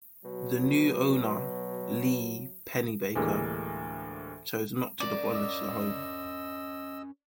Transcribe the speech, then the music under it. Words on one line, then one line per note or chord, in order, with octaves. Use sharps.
The new owner, Lee Pennebaker, chose not to demolish the home.
B2 F#3
D2 A2 E3 G3 G#3 A#3
C#4 A#4 D5
D#5 E6